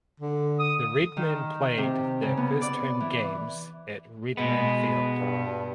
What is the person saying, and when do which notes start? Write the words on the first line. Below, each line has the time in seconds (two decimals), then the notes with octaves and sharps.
The Redmen played their home games at Redman Field.
0.20 D3
0.59 D#6
1.17 D#3
1.77 C3
2.22 C#3
2.37 B3
2.61 D5
3.00 E3
4.37 B2 G#3 B3
5.19 G2